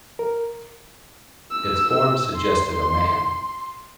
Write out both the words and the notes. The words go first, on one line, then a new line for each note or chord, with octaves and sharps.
Its form suggested a man.
A#4
E6
C6